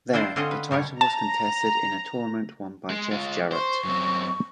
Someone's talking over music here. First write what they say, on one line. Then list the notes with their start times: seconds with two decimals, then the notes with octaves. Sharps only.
There, the title was contested in a tournament won by Jeff Jarrett.
0.13 D4 E4 F4 C5 D5
0.36 D3 C4 C#4 F4 C5 D#5
0.51 B4
0.71 B2 G3 A#4 C#5
1.01 A5 A#5
2.90 G#3
3.12 G#3 F4
3.52 C5 C#6
3.84 F#2 C4